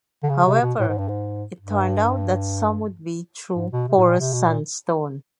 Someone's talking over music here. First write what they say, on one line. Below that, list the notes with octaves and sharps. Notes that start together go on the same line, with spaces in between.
However, it turned out that some would be through porous sandstone.
D3
C#3
C3
B2
A2
G#2
G2
G#2
G2
G#2
B2
C3
A2
A#2
C3
B2
A#2